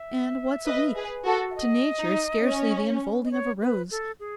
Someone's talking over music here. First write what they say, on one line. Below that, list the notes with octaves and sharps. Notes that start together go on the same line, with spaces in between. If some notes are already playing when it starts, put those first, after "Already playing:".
And what's a week?--to Nature scarcely the unfolding of a rose.
Already playing: E5
B4 D#5
G#4 B4
F#4 A4
E5
D#5
D#4
C#4
D#5
C#5
B4
A4
G#4